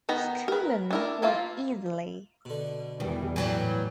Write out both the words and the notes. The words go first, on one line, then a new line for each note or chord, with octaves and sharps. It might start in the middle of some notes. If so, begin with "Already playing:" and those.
Schuhmann won easily.
D#3 B3 A#5 B5
A#4 B4
D4 E4 A#4
A3 A#3 E4 F4
B2 D3
E2 D#3 E3 G3
A2 E3 F#3 G3 B3